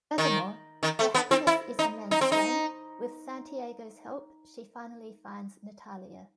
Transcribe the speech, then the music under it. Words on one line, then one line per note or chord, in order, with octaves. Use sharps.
Furthermore, her happiness is immense when, with Santiago's help, she finally finds Natalia.
D#3
D#3
A3
B3
C4
E4
D#4
D#4
C4
D#4